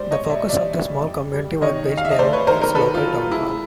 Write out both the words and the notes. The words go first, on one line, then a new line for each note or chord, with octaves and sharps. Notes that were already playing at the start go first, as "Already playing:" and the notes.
The focus of the small community was based around its local town hall.
Already playing: G#2 G3 C5 D5
C#5 D#5
A#2
D5 E5
G3 D5 E5
G3
F2
G3
D#3 C#5 D#5
D#3
F5
E5
D#5
A3 C5 D5
B4 C#5
D#3 A#4 C5
A#4 C5
D#3 A4 B4
F4
F#3
G#3 E4